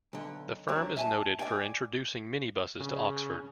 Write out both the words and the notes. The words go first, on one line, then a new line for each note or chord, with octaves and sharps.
The firm is noted for introducing minibuses to Oxford.
B1 D3
F2 D3 F#3 C#5
E5 G#5 A5
D5 F5 G5 G#5
C#3